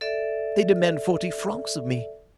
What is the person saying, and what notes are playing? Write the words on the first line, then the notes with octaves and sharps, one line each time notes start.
They demand forty francs of me.
A4 D5 E5